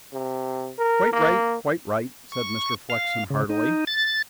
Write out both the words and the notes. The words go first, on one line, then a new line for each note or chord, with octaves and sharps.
"Quite right--quite right," said Mr. Flexen heartily.
C3
A#4
A#3
C#6
F5
C#3
D#4
A6